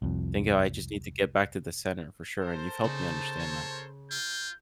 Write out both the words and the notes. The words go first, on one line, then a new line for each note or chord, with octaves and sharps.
think I just need to get back to the center for sure, and you've helped me understand that.
C2 F2
A4 A#4 C5 A5
C#3 D#4
C#5
F4 G6